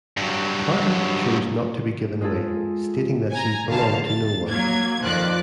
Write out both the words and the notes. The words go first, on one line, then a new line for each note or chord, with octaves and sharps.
Carter chose not to be given away, stating that she "belonged to no one".
G2 F#3
G#3 F4 G#4 A4
G#5 A#5
F2 D3 D#3 F5 A5
A6
F#3 A#3 G#6
F2 D#3 F3 D5 F#6